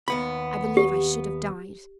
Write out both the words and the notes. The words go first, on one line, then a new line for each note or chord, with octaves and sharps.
I believe I should have died.
D#2 B3 B5
G4